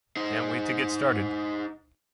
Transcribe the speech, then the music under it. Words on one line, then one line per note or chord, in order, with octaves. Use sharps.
Can't wait to get started!'.
D#4 C5